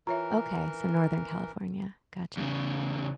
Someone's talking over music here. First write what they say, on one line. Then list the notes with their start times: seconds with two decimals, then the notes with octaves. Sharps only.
Okay, so, Northern California. Gotcha.
0.07 E3 F4 A#4 C#5 E5 A#5
2.37 E2 C#3